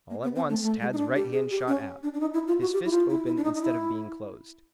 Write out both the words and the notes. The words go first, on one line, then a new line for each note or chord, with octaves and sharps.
All at once Tad's right hand shot out, his fist open instead of being closed.
A#3
B3
C4
A3
A3
G#3
D#4
D4
G4
G#4
G4
C#4
D4
D4
D#4
E4
F4
F#4
G4
E4
F4
E4
E4
D4
D#4
D#4
E4